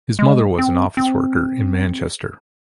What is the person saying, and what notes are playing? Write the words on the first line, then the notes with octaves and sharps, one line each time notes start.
His mother was an office worker in Manchester.
G#3
C4
C4